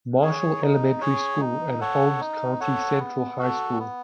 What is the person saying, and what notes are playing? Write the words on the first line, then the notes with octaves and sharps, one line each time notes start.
Marshall Elementary School and Holmes County Central High School.
G#4 C#5
D#4
G#4 C#5
D#4
A4 C#5 F#5
D#4
A4 C#5 F#5
B3
F#4 A4
B3